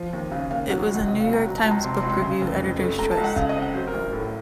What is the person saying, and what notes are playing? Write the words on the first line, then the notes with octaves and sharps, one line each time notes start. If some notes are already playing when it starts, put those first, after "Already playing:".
It was a "New York Times Book Review" editors choice.
Already playing: F3
D#2
C#3 F5
D#2 F5
F#3 F#5
F#5
C#2
F#5
C3 D#5
F5
C#2
A#5
F#3 F#5
A5
C#2
A#5
C3 C6
C6
C#2
C6
C#3
F1
F2
A3
A3 A#5
A5
C#2
F#5
C#3 F5
D#5
C4
F#5
F#3 C5
A#4
A1
A#4
A2 A4